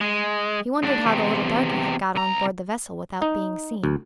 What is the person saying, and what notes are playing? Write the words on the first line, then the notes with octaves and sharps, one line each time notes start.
He wondered how the little darky had got on board the vessel without being seen.
G#3
G#2 D4
E2 C3
C2 A#5
D#4
D2